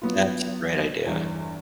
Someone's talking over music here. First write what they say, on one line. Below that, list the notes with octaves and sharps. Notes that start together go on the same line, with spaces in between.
That's a great idea.
F#3 B3 F4
G1 E2